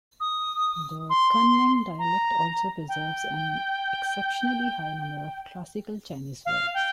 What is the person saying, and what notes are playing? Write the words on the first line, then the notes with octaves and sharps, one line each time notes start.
The Kunming dialect also preserves an exceptionally high number of classical Chinese words.
D#6
C6
A#5
G5
F5
G5